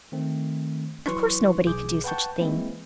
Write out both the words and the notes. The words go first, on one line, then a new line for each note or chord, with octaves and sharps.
Of course nobody could do such a thing.
D#3 A3 C4
E3 F#3 B4 C6 C#6
B1 G#4 D6 G6
B4 F#5 G5 A5 C#6 G6
E3 G#3 A#3 C4 E4